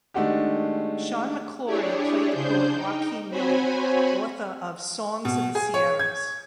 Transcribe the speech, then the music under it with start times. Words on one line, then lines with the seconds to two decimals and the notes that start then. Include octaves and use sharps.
Sean McClory played the poet Joaquin Miller, author of "Songs of the Sierras".
0.14 D#3 G#3 A3 D4 F#4 G4
1.65 D4 E4 G4 G#4 C#5 D5
2.31 C#3 D4 G#4 C5 G6
2.73 D#4 G5
3.30 C4 F#4 C5 C#5 G#5 B5
5.25 B2
5.55 G#4
5.74 C#5
5.99 G#6